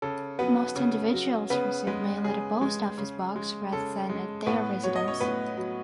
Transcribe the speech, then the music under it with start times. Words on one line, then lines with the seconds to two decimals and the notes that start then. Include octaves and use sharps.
Most individuals receive mail at a post office box rather than at their residence.
0.02 C#3 A4
0.39 F#3 B3 B4
0.76 C#3
1.13 F#3
1.50 C#3 B3 B4
1.87 G#3 B3 B4
2.24 C#3 G#4
2.61 G#3
2.98 C#3
3.36 G#3
3.72 C#3 A4
4.10 G#3
4.46 A2 B3 B4
4.83 F#3 C#5
4.96 D#5
5.08 C#4 C#5
5.20 A2 B3 B4
5.57 F#3